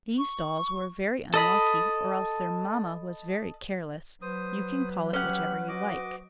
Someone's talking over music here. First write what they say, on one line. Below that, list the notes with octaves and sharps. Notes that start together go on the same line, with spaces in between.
These dolls were very unlucky, or else their mamma was very careless; you can call it whichever you like.
C#6
A4 D#5 B5
F#3 B4 C5 D#6
C#4 G4 E5 F#5
F#4 D#5 D6